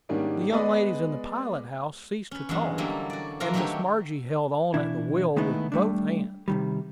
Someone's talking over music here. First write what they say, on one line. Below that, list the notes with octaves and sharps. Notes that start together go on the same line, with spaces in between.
The young ladies in the pilot-house ceased to talk, and Miss Margie held on at the wheel with both hands.
G#2 D#3 G3 A#3 C#4 D4
G#3 B3 B4 D5 D#5
C#4 B4
E2 G2 F#3 G#3 B4
D3 F#3 G3 A#3 E4
F#4 D5
E3 F3 D4 F4 A#4 A#5
D#3 F#3 A3 D4 G4 C#5
B2 E3 D4 E4
D#3 G#3 A3 B3 D#4 E4
G3 A3 D4
C3 D#3 G3